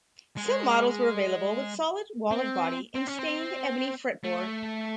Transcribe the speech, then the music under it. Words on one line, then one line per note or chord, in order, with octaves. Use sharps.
Some models were available with solid walnut body and stained ebony fretboard.
G#3
C4
C4
C#4
C4
A3